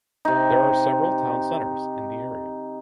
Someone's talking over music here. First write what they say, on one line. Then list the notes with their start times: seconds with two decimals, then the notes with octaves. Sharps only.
There are several town centres in the area.
0.25 C3 D#4